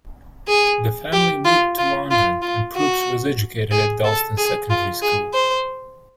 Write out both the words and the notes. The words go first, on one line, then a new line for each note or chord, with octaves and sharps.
The family moved to London and Proops was educated at Dalston Secondary School.
G#4
G4
F4
F4
F4
F4
F#4
G#4
A4
G#4
F4
G#4
C5